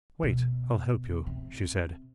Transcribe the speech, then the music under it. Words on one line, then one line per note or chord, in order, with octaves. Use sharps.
"Wait, I'll help you," she said.
B2
C3